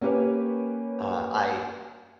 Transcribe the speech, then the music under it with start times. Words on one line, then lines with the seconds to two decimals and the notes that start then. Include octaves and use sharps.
uh, I
0.01 A#3 C#4 G4 B4 C#5